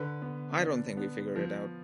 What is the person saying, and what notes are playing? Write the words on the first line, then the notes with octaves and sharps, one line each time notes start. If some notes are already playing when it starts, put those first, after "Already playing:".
I don't think we figured it out.
Already playing: D3 B4
B3
D4
B3
F3